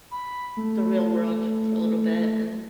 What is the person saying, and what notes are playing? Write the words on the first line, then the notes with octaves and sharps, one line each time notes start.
The real world for a little bit and,
B5
A3